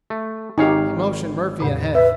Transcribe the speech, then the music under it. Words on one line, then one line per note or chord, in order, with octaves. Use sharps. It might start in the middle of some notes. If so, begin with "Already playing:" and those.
He motioned Murphy ahead.
A3
G#1 D#4 G4 C#5 F5 G#5
E2 A2 C#3
B4 E5